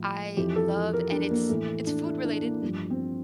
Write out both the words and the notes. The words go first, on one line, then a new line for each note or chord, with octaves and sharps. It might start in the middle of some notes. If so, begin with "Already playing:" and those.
I love, and it's it's food related,
Already playing: A2 F3
F2 E3 G4
A4
A#4
D4
A#3
A2 E3 A3
D4
E4
D4
A#3
G2 F3
C4